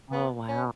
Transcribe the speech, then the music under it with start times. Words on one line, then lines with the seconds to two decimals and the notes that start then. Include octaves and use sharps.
Oh wow.
0.13 B3
0.49 C#4